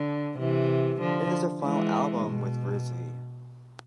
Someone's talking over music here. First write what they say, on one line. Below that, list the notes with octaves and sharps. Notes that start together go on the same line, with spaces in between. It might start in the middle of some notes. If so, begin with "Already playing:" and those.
It is their final album with Rizvi.
Already playing: D3
C3 E3
D3 F3
E3 G#3
B2